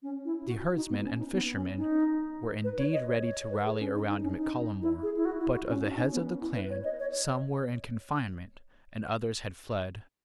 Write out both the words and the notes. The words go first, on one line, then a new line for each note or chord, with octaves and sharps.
The herdsmen and fishermen were indeed ready to rally round Mac Callum More; but, of the heads of the clan, some were in confinement, and others had fled.
C#4
E4
F#4
D#4
B3
C#4
D#4
B3
C#4
D#4
B4
C#5
D#5
C#5
B4
G#4
C#4
D#4
D#4
C#4
D#4
E4
G#4
E4
F#4
E4
F#4
C#4
D#4
C#4
B3
E4
B4
C#5
D#5
C#5